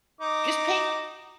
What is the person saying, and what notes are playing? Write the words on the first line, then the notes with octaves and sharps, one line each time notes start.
just pay
D#4 D6